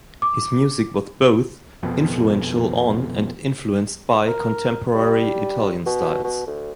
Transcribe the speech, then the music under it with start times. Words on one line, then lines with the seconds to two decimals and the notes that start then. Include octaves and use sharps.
His music was both influential on, and influenced by, contemporary Italian styles.
0.22 D6
1.83 F2 B2
4.28 A#4
4.95 G3
5.86 B2
6.24 B2
6.47 D2